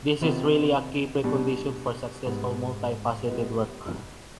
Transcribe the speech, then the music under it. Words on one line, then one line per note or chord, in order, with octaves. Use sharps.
This is really a key precondition for successful multifaceted work.
C3 D#3 B3 F4
B2 G3 D4
G#2 G3 B3
G3 B3 F4 B4 D#5